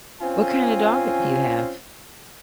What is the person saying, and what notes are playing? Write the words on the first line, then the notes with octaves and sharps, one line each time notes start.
What kind of dog do you have?
C4 C#4 F4 G#5